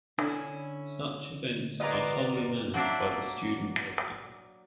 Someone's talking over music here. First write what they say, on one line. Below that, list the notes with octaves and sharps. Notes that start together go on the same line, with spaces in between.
Such events are wholly managed by the student body.
D3 C#4 E4
B3 F4 G#4 A#4 B4 D5 D#5 A#5
F#3 A#3 D4 E5